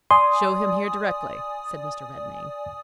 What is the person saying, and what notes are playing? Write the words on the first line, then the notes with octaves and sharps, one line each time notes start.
"Show him here directly," said Mr. Redmain.
D5 G#5 C6 D#6